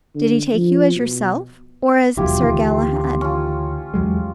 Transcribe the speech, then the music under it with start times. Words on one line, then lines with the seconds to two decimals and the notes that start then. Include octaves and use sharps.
'Did he take you as yourself, or as Sir Galahad?'
0.15 D3
0.54 F3
0.95 B2
2.17 E1 D#2 F#3 E4 F4 G4
2.41 D2 D#3 E3 F4
3.21 C#4 F4
3.94 E2 F#3 G#3